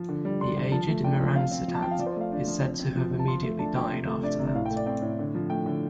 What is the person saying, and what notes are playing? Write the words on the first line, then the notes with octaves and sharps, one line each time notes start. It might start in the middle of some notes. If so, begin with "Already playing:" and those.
The aged Mihransitad is said to have immediately died after that.
Already playing: F3
D3
G3
D4 C6
D3
F3 A5
A3
D4 G5
F3
C4 F5
C4
F3
A5
F3 G5
F5
F3 D5
C5
D5
A3 F5
D4
F3
C4
C4
F3
F3
A5
F3 C6
A3
D4 A5
F3 G5
C3
A3
D4 D5
C3
D5
A2 F5
G5
A3
D5
C4 G5
A2
D3
F3
A3 G5
D3